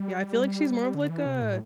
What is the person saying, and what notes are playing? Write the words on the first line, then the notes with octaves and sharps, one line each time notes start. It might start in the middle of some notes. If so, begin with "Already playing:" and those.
Yeah, I feel, like, she's more of, like, a
Already playing: G3
D3
E3
C3
A2